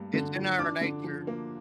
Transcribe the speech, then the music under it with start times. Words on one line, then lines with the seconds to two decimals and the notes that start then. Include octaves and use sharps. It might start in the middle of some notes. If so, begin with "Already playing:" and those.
it's in our nature
Already playing: G2 A3 A#3
0.14 D3
0.35 F3
0.59 D4 D6
0.81 D3
1.04 F3
1.27 A#3